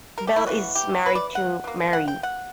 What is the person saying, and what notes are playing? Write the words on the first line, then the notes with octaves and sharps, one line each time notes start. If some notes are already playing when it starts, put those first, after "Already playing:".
Bell is married to Mary.
A#4
G4
E4
C#3 E3 B3 F#4
G4
B4
D5
F#5
B2 A#3
F#5
G5
F#5